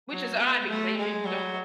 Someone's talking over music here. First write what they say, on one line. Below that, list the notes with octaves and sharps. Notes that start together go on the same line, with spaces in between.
Which is odd because I usually don't like it.
F#3
B3
A3
G#3
F#3